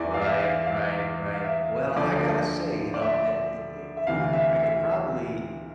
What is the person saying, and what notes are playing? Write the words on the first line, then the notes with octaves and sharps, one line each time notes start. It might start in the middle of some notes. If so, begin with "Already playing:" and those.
Right, right, right, well, I gotta say, you know, I, eh eh eh, I I could probably
Already playing: E2 E3 D5
F5
E5
F5
F5
F5
E5
D2 D3 F3 D5
D5
E5
E5
D2 C3 E3 F5
E5
E5